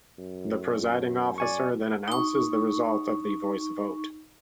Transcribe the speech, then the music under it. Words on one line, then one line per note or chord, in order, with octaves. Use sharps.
The presiding officer then announces the result of the voice vote.
F#2
D5 G#5 C#6
D#4 C#6